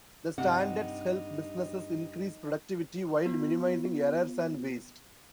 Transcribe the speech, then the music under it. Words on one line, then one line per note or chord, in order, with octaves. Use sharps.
The standards help businesses increase productivity while minimizing errors and waste.
G2 C3 D#4 F#5
B3 F4